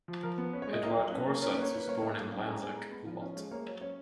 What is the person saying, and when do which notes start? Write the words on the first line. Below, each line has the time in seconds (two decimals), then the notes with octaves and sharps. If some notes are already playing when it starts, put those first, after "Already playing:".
Edouard Goursat was born in Lanzac, Lot.
0.08 F3
0.23 F3 A#4
0.38 B3
0.53 C#4 B4
0.62 C#5
0.67 G#3
0.73 D#5
0.83 A#3 D#5
0.97 F#3 D#5
1.12 C#4 B4
1.28 A#3
1.42 C#4 A#4
1.52 B4
1.57 A#3
1.62 C#5
1.72 C#4 B4
1.88 A#3 C#5
2.02 A#3 D#5
2.17 F#3 F5
2.32 C#4 F5
2.41 G#5
2.47 G#3
2.52 A#5
2.62 B3 G#5
2.76 G#3 A#5
2.91 B3 B5
3.06 F3 F5
3.21 C#4 F5
3.36 G#3 C#5
3.51 A#3 C#5
3.66 F#3 C#5
3.80 C#4 C#5